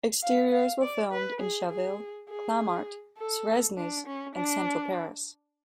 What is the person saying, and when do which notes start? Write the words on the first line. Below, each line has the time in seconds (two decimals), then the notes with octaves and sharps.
Exteriors were filmed in Chaville, Clamart, Suresnes, and central Paris.
0.23 F5
0.52 F5
0.82 D5
1.12 B4
1.41 G#4
1.70 G#4
2.29 G#4
3.18 A4
3.77 D4
4.07 C#4
4.35 D4